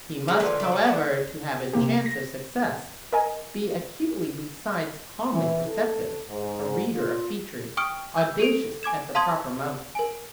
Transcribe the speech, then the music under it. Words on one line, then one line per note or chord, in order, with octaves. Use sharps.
He must, however, to have his chance of success, be acutely besides calmly perceptive, a reader of features, audacious at the proper moment.
D3 G#3 A#3 D#4
D3 E3 F3
D3 A3 D4
G3
D4 F#5 G5
C3 A#3 G4
A#6
A#4 D#5 G#5
E3
A4
G#2
F4
G5 C#6 D#6 F6 D7
E6 G6
G4 A4 D7
G#5 D6 G#6 E7
F5 A5 C6 D#6 G#6 F#7
A#4 G#5